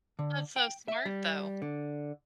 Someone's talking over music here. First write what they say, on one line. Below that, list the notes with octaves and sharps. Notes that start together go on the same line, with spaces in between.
That's so smart, though.
D3
G5
E5
G3
D3